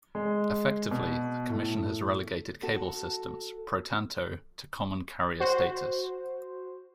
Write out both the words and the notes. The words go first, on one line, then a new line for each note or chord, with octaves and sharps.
Effectively, the Commission has relegated cable systems, pro tanto, to common-carrier status.
G#3
B2
A2
F#4 A4
F#4 C5